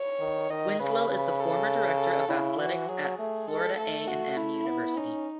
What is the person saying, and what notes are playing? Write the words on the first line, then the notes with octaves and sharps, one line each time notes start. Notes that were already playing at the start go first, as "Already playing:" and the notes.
Winslow is the former director of athletics at Florida A and M University.
Already playing: C#5
D#3
D#3 D#5
C#3 B4
C#3
A4
A4
C#3 E4
E3 F#4
F#3 G#4
A3
G#3 A4
A3 A4
F#4
E4
B3
C#4 D#4